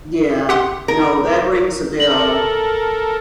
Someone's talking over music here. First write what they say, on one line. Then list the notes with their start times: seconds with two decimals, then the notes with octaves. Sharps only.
Yeah. No, that rings a bell.
0.49 G4 F#5 C6
0.88 A#4
2.00 A4 A#4 F#7